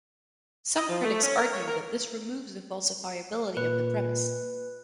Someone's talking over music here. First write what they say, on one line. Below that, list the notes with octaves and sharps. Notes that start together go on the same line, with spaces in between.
Some critics argue that this removes the falsifiability of the premise.
D#5
F3
A3
C#4
A#4
C#5
A#4
A#2 B4